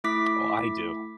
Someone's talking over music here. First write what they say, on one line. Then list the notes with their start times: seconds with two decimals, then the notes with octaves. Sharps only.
Oh, I do.
0.04 A3 E4 D6 B6